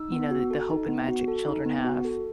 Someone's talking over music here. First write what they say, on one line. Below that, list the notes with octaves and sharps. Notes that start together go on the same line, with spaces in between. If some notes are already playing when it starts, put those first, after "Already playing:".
you know, the the hope and magic children have?
Already playing: D#4 E6
B3
F#4
A4
D#4
B3
F#4
A4
D#4
B3
F#4
A4